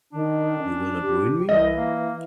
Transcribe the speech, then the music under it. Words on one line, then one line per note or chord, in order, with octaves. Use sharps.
You will not ruin me?
D#3 D4
C#4
G4
C2 E3 D#5
A#3